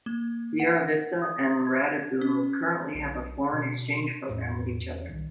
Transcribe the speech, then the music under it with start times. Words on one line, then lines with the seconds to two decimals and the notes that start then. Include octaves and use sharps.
Sierra Vista and Radebeul currently have a foreign exchange program with each other.
0.06 A#3
0.60 F#5
1.22 D#6
1.67 G#6
2.21 C#4
2.95 B1 D4
3.53 B2
4.29 E2 A2 E3
5.09 C2 A#2 D#3